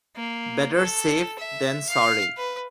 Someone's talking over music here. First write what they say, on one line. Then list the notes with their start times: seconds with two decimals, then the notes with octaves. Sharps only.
Better safe than sorry.
0.16 A#3
0.76 A4
1.39 E5
1.89 F5
2.37 B4